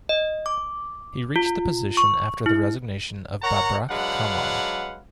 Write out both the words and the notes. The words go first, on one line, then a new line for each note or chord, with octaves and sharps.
He reached the position after the resignation of Babrak Karmal.
D#5
D6
F4
C#6
E4
A#4 C#5 F#5 A#5
F#3 G#3 D4 B4 F5 F#5